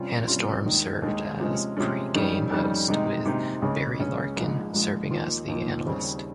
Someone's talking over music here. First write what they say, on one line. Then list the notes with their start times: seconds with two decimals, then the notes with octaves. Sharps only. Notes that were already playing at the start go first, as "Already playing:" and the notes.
Hannah Storm served as pre-game host with Barry Larkin serving as the analyst.
Already playing: C3 G3 C#4 F4
0.28 C3 G3 C#4 F4
0.65 D#2 D#3 G#3
1.02 D#2 D#3 G#3
1.40 C3 F3 G#3 C#4
1.77 C3 F3 G#3 C#4
2.14 F2 D#3 G3 C#4
2.51 F2 D#3 G3 C#4
2.88 C3 D#3 G#3 D#4
3.25 C3 D#3 G#3 D#4
3.62 C#2 C#3 G#3 C#4
3.99 C#2 C#3 G#3 C#4
4.37 A#1 G#2 F3 G#3
4.73 A#1 G#2 F3 G#3
5.11 D#2 D#3 A#3 F4
5.48 D#2 D#3 A#3 F4
5.85 D#2 C#3 G3 C4